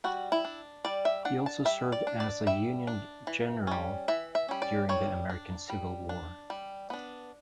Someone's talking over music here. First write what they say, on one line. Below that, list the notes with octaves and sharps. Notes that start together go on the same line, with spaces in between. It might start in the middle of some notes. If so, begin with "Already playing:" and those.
He also served as a Union general during the American Civil War.
G3 F#4
E4
D4
G3 D5
E5
D4 F#5
A5
G3 E5
D5
D4
D5
G3 E5
D4
E3
G3 C#4
E3 E5
E5
G3 C#4
D5
G3 C#5
D4
G3
D4
G3
B3 D4